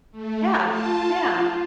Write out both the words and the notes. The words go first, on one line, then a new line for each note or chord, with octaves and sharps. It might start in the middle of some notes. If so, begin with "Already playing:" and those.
Yeah. Yeah.
A3
F4 A5
F4